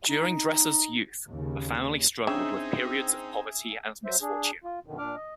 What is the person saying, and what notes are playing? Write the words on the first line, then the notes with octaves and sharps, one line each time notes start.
During Dresser's youth the family struggled with periods of poverty and misfortune.
D#4
D#2 C#3
C#3 C4 D4 D#4 G#4 C#5 E5 G5
F#3 C5 E5
D4 G#4
F4
F#2 B2 D3 D#3
A#2 D4 D6 F6
D#5